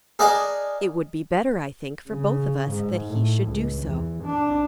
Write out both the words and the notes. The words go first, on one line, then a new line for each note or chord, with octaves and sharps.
"It would be better, I think, for both of us that he should do so."
G#4 A#4 D5 D#5 F#5 A5
C#3
G#2
A2
C#2
E2
D4